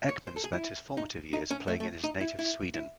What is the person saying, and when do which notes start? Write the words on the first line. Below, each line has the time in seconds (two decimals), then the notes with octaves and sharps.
Ekman spent his formative years playing in his native Sweden.
0.09 C#5
0.27 C5
0.36 A4
0.44 G#4
0.53 E4
0.97 D#4
1.33 D#4
1.51 C#4
1.68 A3
1.80 A3
2.04 D#4
2.21 E4
2.39 E4
2.74 E4